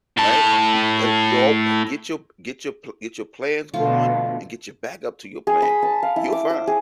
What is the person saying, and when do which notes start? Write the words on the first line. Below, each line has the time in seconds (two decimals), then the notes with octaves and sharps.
right? We, uh y'all p get your get your pl get your plans going and get your backup to your plan going, you're fine,
0.17 A2 A5
3.74 B2 D3 F3 A3 F4
5.47 G#4
5.62 B5
5.83 A5
6.03 F5
6.16 E4
6.32 D6
6.50 C5
6.67 G#4